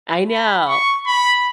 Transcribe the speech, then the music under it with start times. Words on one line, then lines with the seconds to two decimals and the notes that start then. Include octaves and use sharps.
I know
0.29 B5
0.68 C#6
1.07 B5